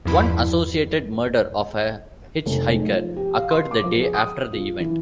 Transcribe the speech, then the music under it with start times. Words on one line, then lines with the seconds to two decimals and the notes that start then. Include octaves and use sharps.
One "associated" murder of a hitchhiker occurred the day after the event.
0.05 E2 G2 F3 E4 B5
2.46 F1
2.71 G#2
2.87 F3
3.16 G4
3.36 F5
3.51 C6
3.71 D6
3.84 F3
4.01 G#4
4.14 D#6
4.53 F4
4.80 E3